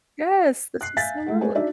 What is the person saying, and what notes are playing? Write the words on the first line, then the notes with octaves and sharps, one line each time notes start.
Yes, this was so lovely.
F#6 C7
E5 F5 G#5 G6 A6 B6
G#3 A3 F#5
G#4 B4 C#5 G#5
D4 D#4 F#4 D5 E5